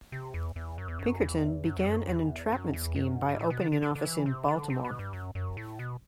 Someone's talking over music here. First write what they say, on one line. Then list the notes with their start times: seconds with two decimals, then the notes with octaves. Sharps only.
Pinkerton began an entrapment scheme by opening an office in Baltimore.
0.12 C3
0.34 E2
0.56 E2
0.78 F#2
0.88 E2
0.99 F#2
1.21 E2
1.65 F#2
1.77 E2
1.86 F#2
2.08 E2
2.52 F#2
2.73 E2
2.96 F#2
3.29 G2
3.39 A2
3.50 B2
3.61 D3
3.72 D3
3.83 D3
3.95 D3
4.05 E3
4.26 C3
4.48 D3
4.70 C3
4.85 B2
4.99 G2
5.13 F#2
5.35 F#2
5.57 A2
5.79 B2